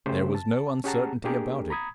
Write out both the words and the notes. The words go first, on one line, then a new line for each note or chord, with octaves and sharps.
There was no uncertainty about it.
C#3 A3 G4 C5
A5
C#4 G4 G#4 F#5 A5 A#5
A#3 D4 G4 G#4 A#4
A#5 B5 D#6 G#6